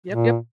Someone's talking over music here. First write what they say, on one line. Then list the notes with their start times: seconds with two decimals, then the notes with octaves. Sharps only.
Yep, yep.
0.11 A#2